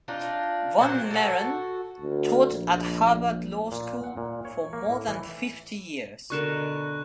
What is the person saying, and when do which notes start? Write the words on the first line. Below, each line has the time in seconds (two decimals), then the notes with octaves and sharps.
Von Mehren taught at Harvard Law School for more than fifty years.
0.08 D4 D#4 F4
0.79 A#2 F#3 C5
1.10 F#4 A4
2.01 D2
2.52 A#1
3.72 A#2
4.04 F#5
4.17 A#2
4.45 C#5
4.73 A#3
4.89 A2
5.08 E3
6.30 B2 D3 A#4 C#6 F#6 E7